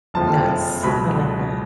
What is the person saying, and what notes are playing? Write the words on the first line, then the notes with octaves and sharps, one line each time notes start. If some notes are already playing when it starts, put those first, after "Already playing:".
Nice, I like that.
F#1 F2 F3 A5
C#2 B2 F#3 B5